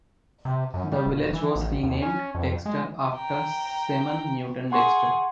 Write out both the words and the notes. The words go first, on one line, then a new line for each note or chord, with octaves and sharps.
The village was renamed "Dexter" after Simon Newton Dexter.
C3
F#2
G3
D#1
E3
A1
D#2
C#4
F2
G#3
G5 A#5
G#4 F#5 C6 C#6